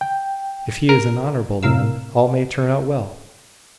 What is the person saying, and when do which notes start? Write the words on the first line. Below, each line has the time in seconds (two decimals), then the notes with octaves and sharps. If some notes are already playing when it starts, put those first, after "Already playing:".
If he is an honourable man, all may turn out well.
0.01 G5
0.89 A#4
1.63 A2 C3 A#4 F5 E6